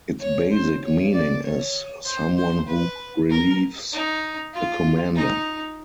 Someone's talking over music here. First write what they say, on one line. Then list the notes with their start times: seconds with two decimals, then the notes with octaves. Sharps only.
Its basic meaning is "someone who relieves a commander".
0.20 C#5
0.51 C5
0.82 C#5
1.12 D5
1.43 C#5
2.05 C5
2.36 C5
2.67 B4
3.29 A#4
3.92 D#4
4.53 F4
5.15 D#4